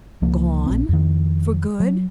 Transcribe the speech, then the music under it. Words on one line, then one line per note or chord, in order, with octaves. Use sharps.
"Gone--for good?"
C#2 F3 A#3
A#1 C4
F2 D#3
F#3